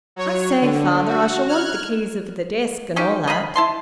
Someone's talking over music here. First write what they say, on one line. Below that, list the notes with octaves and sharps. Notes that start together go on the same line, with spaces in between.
"I say, father, I shall want the keys of the desk, and all that."
F#3 C#5
D3
F#4
F6 F#6 G#6
C#4 D#4 F#4 G4
D#5 F5 A#5 B5
E4 A5 C6